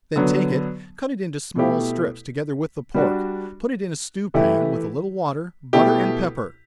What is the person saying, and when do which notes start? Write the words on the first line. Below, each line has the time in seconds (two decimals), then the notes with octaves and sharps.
Then take it, cut it into small strips together with the pork, put it in a stew pan, with a little water, butter, and pepper.
0.16 D3 F#3 B3
1.56 B2 A3 E4 G4
2.94 G3 D4 F#4
4.34 E3 A3 E4 G4
5.73 B2 A3 E4 G4